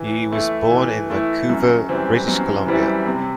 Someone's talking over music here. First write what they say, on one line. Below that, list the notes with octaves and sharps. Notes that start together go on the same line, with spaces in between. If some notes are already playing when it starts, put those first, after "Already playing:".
He was born in Vancouver, British Columbia.
Already playing: E3
A3 E4
E3
A3 E4
F#2
E3 G3 C4 E4
F#2
E3 G3 C4 E4
C3